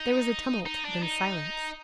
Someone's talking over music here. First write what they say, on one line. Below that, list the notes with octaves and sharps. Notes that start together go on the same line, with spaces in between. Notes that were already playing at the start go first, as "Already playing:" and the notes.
There was a tumult, then silence.
Already playing: D#4
D#4
D4
D#4